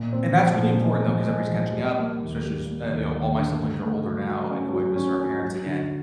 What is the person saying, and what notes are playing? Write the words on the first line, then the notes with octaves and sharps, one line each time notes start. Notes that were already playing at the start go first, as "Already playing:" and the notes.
And that's really important, though, 'cause everybody's catching up, especially as, you know, all my siblings are older now and going to visit our parents again.
Already playing: A#2
C4
F3
A#2
G#3
F3
G#3
F3
G3
A#3
D#2
G3
A#3
D#2
D#2
D3
A3
A3
F#3
F#3
C#4
F#3
C#4
C#4
F#3
D3